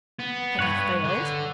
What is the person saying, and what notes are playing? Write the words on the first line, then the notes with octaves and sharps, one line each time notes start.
Had he failed?
B3
G2 B4 C#5 F#5
D3